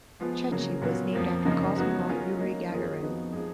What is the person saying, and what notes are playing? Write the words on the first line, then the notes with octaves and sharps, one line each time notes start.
Chechi was named after cosmonaut Yuri Gagarin.
F3 G#3 B3 F4
C#3 F#3 A#3
A#2 F#3 B3 F#4
F2 F3 A#3
F#2 C#3 F3 A#3 D#4
F#3 B3 D#4 F#4
G#3 C#4 F4 A#4
F#3 A#3 D#4
F#2 D#3 A#3 F4 G#4
F2 F3 B3 D#4 F#4
F3 G#3 D#4 G#4